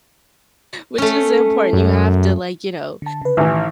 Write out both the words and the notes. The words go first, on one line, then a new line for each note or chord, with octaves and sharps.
Which is important, you have to, like, you know
A3 C#4
F#2
D3 A5
C#3 B4
A1 D#3 E3